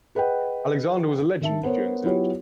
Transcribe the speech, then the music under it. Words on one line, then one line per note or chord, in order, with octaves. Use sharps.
Alexander was a legend during his own time.
G#4 B4 D#5 F#5 G5
D#3 E5 A5
B3 A#4 C5 C#5
F#3 B3 E4 F4 G4 C#5